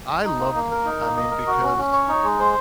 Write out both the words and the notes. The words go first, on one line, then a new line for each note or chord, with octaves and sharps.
I loved it, I mean, because
D#4
A#3
A#3
A#4
D#4
A#3
D#5
A#4
F#4
C#4
C#4
C#5
D#4
G#3
C5